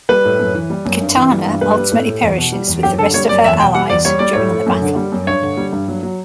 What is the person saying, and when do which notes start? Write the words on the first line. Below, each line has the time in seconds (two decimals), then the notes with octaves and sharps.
Kitana ultimately perishes with the rest of her allies during the battle.
0.09 G3 B4
0.25 A2
0.39 F#2
0.55 E3
0.70 G3
0.85 F#2
1.01 G2
1.16 E3
1.31 G3
1.46 G2
1.61 G3 B4
1.77 G3
1.92 A2
2.07 A2
2.22 E2
2.38 B2
2.53 G3
2.68 E2
2.83 F#2 G4
2.99 D3 A4
3.14 G3 C#5
3.29 F#2 D5
3.44 E2 E5
3.60 B2 G5
3.74 G3 F#5
3.90 E2 D5
4.05 G3 C#5
4.19 G3 D5
4.33 A2 C#5
4.51 A2
4.66 F#2
4.82 D3
4.96 G3
5.12 F#2
5.27 G2 C#5
5.42 D3
5.57 G3
5.73 G2
5.88 F#3
6.03 F#3